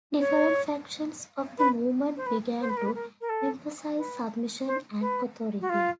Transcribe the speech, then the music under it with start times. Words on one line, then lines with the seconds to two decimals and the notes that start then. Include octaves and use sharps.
Different factions of the movement began to emphasise submission and authority.
0.20 C#5
1.58 B4
2.17 C5
2.26 B4
2.60 C5
2.69 B4
2.77 A#4
2.85 B4
2.95 A#4
3.21 A#4
3.29 A4
3.97 B4
4.67 C5
5.01 B4
5.61 F#4
5.69 F4